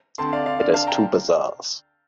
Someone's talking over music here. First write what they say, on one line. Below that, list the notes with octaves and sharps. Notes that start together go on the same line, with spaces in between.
It has two bazaars.
D2 D3 A3 C4 A5 C6
D5 F5
D5 F5
D2 D3 A3 D5 F5
F5 A5
G5 A#5